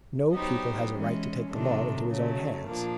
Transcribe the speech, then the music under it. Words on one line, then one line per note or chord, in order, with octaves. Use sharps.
No pupil has a right to take the law into his own hands.
F#3 B3 D#4 G4 C5
E3 G#3 C#4
C3 D#3 F#3 A3 D4
C#3 F#3 A3
A#2 F3 A#3 D4